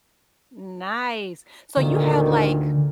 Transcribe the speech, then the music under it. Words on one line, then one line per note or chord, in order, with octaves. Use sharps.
Nice. So you have, like,
D2 A#2 D3 D#3